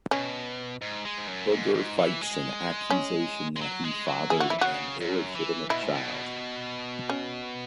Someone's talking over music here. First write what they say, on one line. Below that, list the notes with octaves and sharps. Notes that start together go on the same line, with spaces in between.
Booger fights an accusation that he fathered an illegitimate child.
B2 C#4
G#2
G#3
G#2
F#2
G#2
G#2
E3
G#3
C#4
G#3
F#3
G#3
F#3
E3 G#4
F#4
E4
E3
C#3 F#4
F#2
E3
B2 E4
G#2
B2
C#4